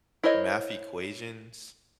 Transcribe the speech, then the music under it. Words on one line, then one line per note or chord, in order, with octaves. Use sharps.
math equations
E4 A#4 C5 C#5 D#5